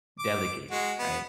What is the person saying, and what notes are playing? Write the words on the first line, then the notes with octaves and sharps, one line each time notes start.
delegated, right?
D6
G#3 F#4
B3